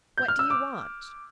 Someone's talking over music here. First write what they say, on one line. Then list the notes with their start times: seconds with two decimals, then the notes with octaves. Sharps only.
"What do you want?"
0.17 G6
0.28 F6
0.39 E6
0.50 D6